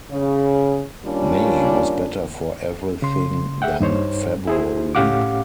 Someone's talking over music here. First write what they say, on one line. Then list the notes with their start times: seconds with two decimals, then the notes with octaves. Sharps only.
May was better for everything than February.
0.11 C#3
1.04 D#3 G3 A#3 C#4 D4 F4
3.02 C#3 C6
3.62 G#4 E5 F#5 G5
3.80 G2 D#4 C5 C#5
4.47 E4 G#4 C5
4.95 A2 C#4 G4 F5 F#5 D6